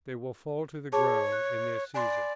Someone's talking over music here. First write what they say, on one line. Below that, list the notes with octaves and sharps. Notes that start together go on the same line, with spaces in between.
They will fall to the ground in their season.
G#4 C#5 A5 D6
F#6
D5 G#5 B5 C6